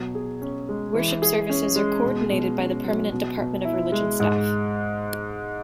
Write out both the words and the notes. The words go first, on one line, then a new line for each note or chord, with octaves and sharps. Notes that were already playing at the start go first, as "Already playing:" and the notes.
Worship services are coordinated by the permanent Department of Religion staff.
Already playing: B2 F#3
G#4
C#4
G#3
E3
G#4
C#4
G#3
B2
B2
C#4
F#3
B2
B2
E4
G#3
G#2